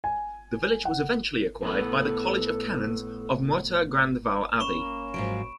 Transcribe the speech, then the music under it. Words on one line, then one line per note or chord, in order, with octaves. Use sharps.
The village was eventually acquired by the college of canons of Moutier-Grandval Abbey.
G#5
F#5
A2 B3 A4 B4
A#3 C#4 B5 C#6 E7
G#2 F3 F#3 D7